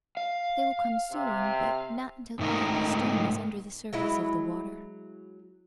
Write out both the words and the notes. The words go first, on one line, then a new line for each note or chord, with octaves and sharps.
"They will come soon, but not until all of this dome is under the surface of the water."
F5
C3
G#2 D#3 A3 D#4 A#4
F#3 G#3 E4